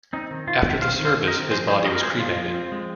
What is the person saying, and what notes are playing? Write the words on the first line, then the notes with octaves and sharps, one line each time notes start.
After the service, his body was cremated.
C4 D#4
D#3
D#3 F4
C4
C4 C5 F5
D#3
C5 F5
D#3
A#4 D#5
C4
F3 G#4 C5
F3 G#4 C5
C4 A#4 D#5
A#4
G#3 G#4 C5
F3 F4
F3
C4
G#3